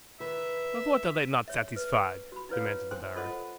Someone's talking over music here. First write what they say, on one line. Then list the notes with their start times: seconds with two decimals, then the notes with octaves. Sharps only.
"Of what are they not satisfied?" demanded the Baron.
0.20 D#3 B4 E5
1.48 C#5 E5
1.76 B4
2.32 F#4 B5
2.49 D#4 E4 B4 C#5 F5
2.91 C5 G5 G#5 C6
3.16 F4 A4 C5 D#5 F#5